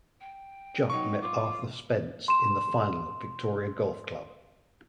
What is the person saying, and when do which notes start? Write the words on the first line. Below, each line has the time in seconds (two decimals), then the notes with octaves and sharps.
Jupp met Arthur Spence in the final at Victoria Golf Club.
0.21 G5
0.90 F#3 D#4 C#6
1.21 F4 D6
2.28 C6 E7